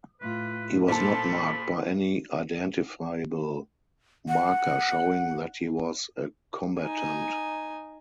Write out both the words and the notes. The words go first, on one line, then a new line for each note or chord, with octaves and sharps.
He was not marked by any identifiable marker showing that he was a combatant.
A2 F4 B4
A#2 A4 C5 A5 B5
F#5
D#4 G#5